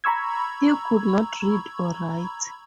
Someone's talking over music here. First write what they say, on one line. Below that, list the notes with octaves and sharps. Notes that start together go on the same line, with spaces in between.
He could not read or write.
A#5 B5 C#6 E6 G#6